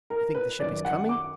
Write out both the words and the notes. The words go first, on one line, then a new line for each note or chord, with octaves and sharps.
"You think the ship is coming?"
A#4
B4
F#2 D#3 D5
F#5
D6